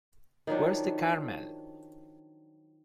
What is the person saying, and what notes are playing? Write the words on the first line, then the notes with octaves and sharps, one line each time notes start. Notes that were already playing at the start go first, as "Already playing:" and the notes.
Where's the Caramel?
D#3 F3 F#3 D4